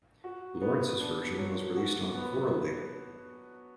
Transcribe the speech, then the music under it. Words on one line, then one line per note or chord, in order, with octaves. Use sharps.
Lawrence's version was released on the Coral label.
F#4
B3
D4
F#3
F#4
B3